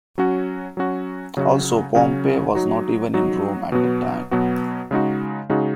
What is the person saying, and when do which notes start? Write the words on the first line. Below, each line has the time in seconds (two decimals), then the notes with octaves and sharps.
Also Pompey was not even in Rome at the time.
0.18 F#3 C#4 F#4
0.77 F#3 C#4 F#4
1.37 C#3 F#3 C#4 F#4
1.95 C#3 F#3 C#4 F#4
2.55 F#3 D#4 F#4
3.14 F#3 D#4 F#4
3.72 B2 F#3 B3 F#4
4.31 B2 F#3 B3 F#4
4.91 C#3 G#3 D#4 F#4
5.49 C#3 G#3 D#4 F#4